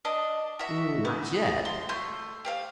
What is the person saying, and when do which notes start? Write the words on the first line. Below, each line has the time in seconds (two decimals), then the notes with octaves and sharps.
"Not yet."
0.05 D4 D#5
0.59 F#4 E5
1.05 B3
1.65 C6
1.89 A3 C6 G6
2.45 G4 C5 F5